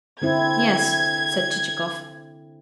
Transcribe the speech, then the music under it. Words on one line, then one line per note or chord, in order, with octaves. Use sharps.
"Yes," said Chichikov.
D3 C4 E4 G#6